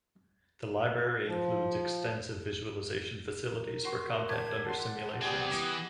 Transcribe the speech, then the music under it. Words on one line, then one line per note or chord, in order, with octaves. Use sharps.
The library includes extensive visualization facilities for content under simulations.
F3
A#4
F#4 C6 C#6
D4 G4 G#6
F#5 A5 C6
B3 C4 G4 G#4 D5 G#5
E3 D#5 D#6